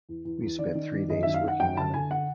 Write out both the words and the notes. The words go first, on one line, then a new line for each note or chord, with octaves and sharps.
We spent three days working on it.
E2
E2
E2
D#3 D5
D#3
D#3
F#2 D#5
D#3 E5
F5
D#3 F#5
F#2 G5
D3 A5
D3 G#5
F#5